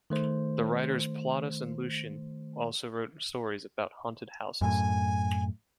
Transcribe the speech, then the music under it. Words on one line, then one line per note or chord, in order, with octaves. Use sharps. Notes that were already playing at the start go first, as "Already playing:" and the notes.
The writers Plautus and Lucian also wrote stories about haunted houses.
D#3 A3 C5
F#2 A2 G#5